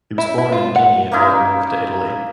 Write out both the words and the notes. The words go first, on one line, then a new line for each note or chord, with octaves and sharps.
He was born in Guinea and later moved to Italy.
E4
E4
F4
F#5
A#3 C#4 D#4 E4